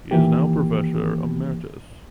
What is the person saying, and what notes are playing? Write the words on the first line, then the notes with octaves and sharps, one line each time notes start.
He is now Professor Emeritus.
D#3 E3 A#3 G4